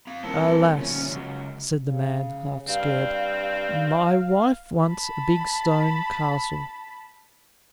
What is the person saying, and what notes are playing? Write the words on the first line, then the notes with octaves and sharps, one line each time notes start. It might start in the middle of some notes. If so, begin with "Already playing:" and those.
"Alas," said the man, half scared, "my wife wants a big stone castle."
C4 F5
D#1 E3 C4 A#4 A5
D2 F3 C#4
C#2 F#2
C#3
G2 C4 F5
A5 B5